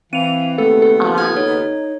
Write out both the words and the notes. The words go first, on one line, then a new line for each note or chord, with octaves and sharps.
Um, f
E3 C4 F5 D#7 F7
D#2 C#3 A3 B3 A4
A4
D#6 F6 G#6
D#4 C#5